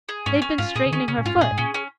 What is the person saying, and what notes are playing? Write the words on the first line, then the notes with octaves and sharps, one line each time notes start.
They've been straightening her foot.
G#4
G#2 C#4
C#4
G#2 F4
A#2 G#4
C#3
D#3 C#4
C#3 C#4
A#2
G#2 F4
G#2
A#2 G#4
G#2
A#2 C#4
C#4